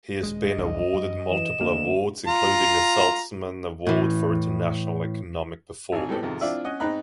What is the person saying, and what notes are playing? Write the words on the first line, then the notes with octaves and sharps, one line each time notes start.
He has been awarded multiple awards including the Salzman Award for International Economic Performance.
D#1 D#2 G#3 D#5
B1 E2 G2
F#2
E3 E7
D2 A#3
F4 A#5
A2 E3
G#1 G#2 G#4
A2 G3 B3 C4 A4
F2 G#2 C3 D#3 F3
C4 D4 E4 F4 D5 E5
C#4 D#5 F#5
G#2 C4 D#4 A#5 B5 F#6